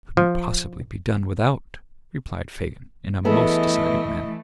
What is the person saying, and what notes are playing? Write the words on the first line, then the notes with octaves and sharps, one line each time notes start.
'It couldn't possibly be done without,' replied Fagin, in a most decided manner.
F3
E3 A3 B3 E4 G#4 A4 D#5